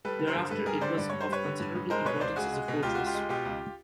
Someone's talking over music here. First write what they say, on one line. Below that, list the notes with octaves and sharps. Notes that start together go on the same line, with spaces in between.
Thereafter it was of considerable importance as a fortress.
G3 A4 B4
D3
A#4 C5
G2
G2 A4 B4
G3 G#4 A#4
D3 C5 D5
G2 D5
G2 C#5
C5
G3 B4 C#5
D3
G2
G2
G#3 A#4 C5
B2 B4 C#5
C#2 C5 D5
C#2 F#4 G#4
G#3
B2
C#2 F4 G4
C#2 F#4
F4 G4
G#3
B2 F4 G4
C#2